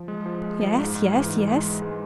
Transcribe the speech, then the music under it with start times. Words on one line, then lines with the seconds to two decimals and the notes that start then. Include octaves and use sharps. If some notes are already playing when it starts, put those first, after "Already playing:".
"Yes, yes, yes!"
Already playing: F3
0.08 G#3
0.26 F3
0.43 G#3
0.61 F3
0.78 G#2
0.95 G#2
1.13 E3
1.30 G#2
1.47 G#3
1.65 G#3
1.82 G#3